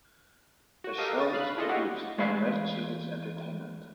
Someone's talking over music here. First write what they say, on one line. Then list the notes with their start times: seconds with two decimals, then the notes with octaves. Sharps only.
The show is produced by Red Chilies Entertainment.
0.84 F#4
0.98 G4 A4 A#4 D#5 F5
1.19 D#6 A6 D#7
1.33 F5 B5 F#6
1.57 D4 E4 F4 G#4 A4 D#5
1.69 E4 F#4 G4 D#5 F5 F#5
2.18 E2 G#3 A3 C#5 F5 B5